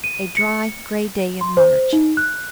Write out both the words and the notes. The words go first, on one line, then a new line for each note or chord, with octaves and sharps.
A dry, grey day in March.
D#7
C#7
C6
C5
D#4
F#6